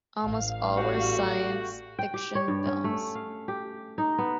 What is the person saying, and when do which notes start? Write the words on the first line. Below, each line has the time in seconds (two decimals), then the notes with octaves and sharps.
Almost all were science fiction films.
0.22 A1 F5
0.77 G3 A3 F#4
1.99 G5
2.14 G4
2.35 C#5
2.48 G2
2.66 C#4
2.84 A3
3.15 F5
3.48 G4
3.98 D#4
4.18 B3